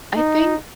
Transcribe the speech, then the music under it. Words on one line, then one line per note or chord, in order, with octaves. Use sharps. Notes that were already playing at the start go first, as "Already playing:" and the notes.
I think
D#4